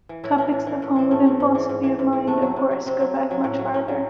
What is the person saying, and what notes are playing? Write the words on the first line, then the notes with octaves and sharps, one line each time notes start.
Topics that fall within philosophy of mind, of course, go back much farther.
E3
A2 E4
E3 C#4
A2
E3
A2
E3 C4
G#2 A3
E3
G#2
E3
G#2
E3
G#2
E3
C3 A3
F#3
C3
F#3
C3 C4
F#3
C3
F#3
A2
F#3
A2 C#4
F#3